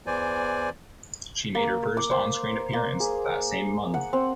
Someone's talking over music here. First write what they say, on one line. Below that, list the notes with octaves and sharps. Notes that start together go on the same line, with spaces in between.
She made her first on screen appearance that same month.
E2 E3 C5 D5 G#5
A#3
D6
C5
A#3
G#4
F#5
C4